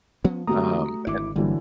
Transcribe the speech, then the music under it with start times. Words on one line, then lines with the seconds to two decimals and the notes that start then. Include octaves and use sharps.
Um, and
0.25 F3 B3 C#4
0.47 D3 G#3 A3 C4 F#4 G4 A#5 D#6
1.07 G#1 D3 E4 D6
1.36 G1 D3 E3 F#3 G3 A#3